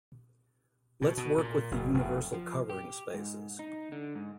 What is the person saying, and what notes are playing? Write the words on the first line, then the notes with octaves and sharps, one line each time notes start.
Let's work with the universal covering spaces.
B2
B2
A#2
F#1
F1
F3
G4
G#2
D#4
D3
G#2